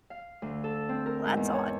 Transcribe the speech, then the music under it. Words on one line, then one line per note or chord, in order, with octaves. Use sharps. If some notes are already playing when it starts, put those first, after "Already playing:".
Well, that's odd.
F5
D2
A4
C4
A#4
G#2
E2
C#5